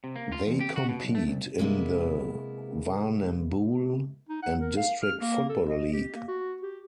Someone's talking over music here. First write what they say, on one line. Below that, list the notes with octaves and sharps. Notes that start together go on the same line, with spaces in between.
They compete in the Warrnambool and District Football League.
C3
A#3
F4
E2
G4
F#4
B2
B1
A3
C2
C3 G#3 A#3 B3 E4
D#4
F#5
A#4
F5
F6
A#3
A4
D#5
G4
A#3
F#4
G4